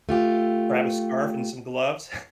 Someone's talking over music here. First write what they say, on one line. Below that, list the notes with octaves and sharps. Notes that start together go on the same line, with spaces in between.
Grab a scarf and some gloves.
A3 F4 G4